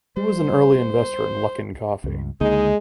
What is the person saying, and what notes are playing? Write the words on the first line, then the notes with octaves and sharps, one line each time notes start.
Lu was an early investor in Luckin Coffee.
G3 C5
C#2 G2
C#2 D3 G#3 A#3 D#4